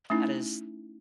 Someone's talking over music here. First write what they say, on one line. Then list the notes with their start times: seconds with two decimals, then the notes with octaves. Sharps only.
That is
0.10 A3 C#4 D#4 E4